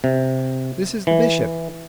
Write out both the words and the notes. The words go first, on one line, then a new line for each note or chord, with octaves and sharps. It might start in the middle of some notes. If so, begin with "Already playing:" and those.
This is the Bishop.
C3
E3